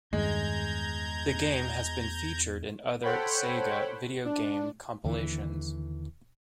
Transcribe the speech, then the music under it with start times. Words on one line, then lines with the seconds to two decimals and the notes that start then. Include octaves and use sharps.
The game has been featured in other Sega video game compilations.
0.13 E2 G2 D#3 G#3 A#5 G6 G#6
3.03 A4 C5 C#5 F#5 G5 B5
4.25 D4
5.04 D#2 D3 E3